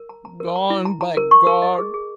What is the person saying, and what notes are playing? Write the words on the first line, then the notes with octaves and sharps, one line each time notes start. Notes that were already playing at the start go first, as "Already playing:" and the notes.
"Gone by God."
Already playing: A#4
A#5
A#5
A#4
A#5
E4
A#5
A#5
A#4
C#6
A#4
D#5
G#4
G#4